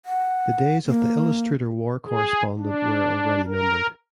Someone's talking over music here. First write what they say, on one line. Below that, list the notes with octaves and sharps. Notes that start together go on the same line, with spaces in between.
The days of the illustrator war correspondent were already numbered.
F#5
A#3
G#4
D4
A#4